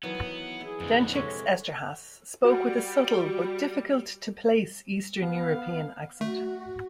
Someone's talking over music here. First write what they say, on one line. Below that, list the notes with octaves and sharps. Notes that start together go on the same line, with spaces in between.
Dencik's Esterhase spoke with a subtle but difficult-to-place Eastern European accent.
D#3 E3 F#3 B3
E4 G#4
F2 D3 B3
C3 G#3 A4 C#5
G3 F#4
B3 F5
A3 F#4